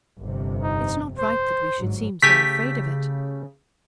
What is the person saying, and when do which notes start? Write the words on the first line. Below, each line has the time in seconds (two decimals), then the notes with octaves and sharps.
It's not right that we should seem so afraid of it.
0.20 G1 F2 C3
0.62 D#4
1.18 C5
1.78 G1 G#2 F#3
2.22 C#3 A3 G4 G#5 B6